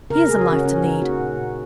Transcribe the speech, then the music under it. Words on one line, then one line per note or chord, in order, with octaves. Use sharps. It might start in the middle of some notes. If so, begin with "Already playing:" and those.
Here's a life to lead!
C#3 A#4
C#3 G#4
F#4
C#3
C#4
C#3 C#4
C#3 D#4
A#3 F#4
A#2
A#2